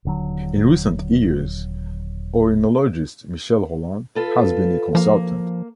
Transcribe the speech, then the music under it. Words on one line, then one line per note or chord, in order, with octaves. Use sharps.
In recent years, oenologist Michel Rolland has been a consultant.
D#1 D3 F#3
F4 A4 B4
F3 A#3